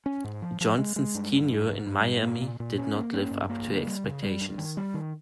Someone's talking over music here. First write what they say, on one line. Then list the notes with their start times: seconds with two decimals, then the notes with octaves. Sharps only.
Johnson's tenure in Miami did not live up to expectations.
0.06 C#4
0.24 G#2
0.42 F3
0.61 F3
0.78 G#3
0.96 G#3
1.15 G2
1.33 G2
1.51 G#2
1.69 G#2
1.87 G3
2.05 G#2
2.23 A#3
2.42 A#2
2.60 A#2
2.78 C#4
2.96 A#3
3.14 C#4
3.31 G2
3.50 A#3
3.68 C#3
3.87 G3
4.04 C#3
4.23 G3
4.41 G2
4.58 D#3
4.77 G3
4.94 D#3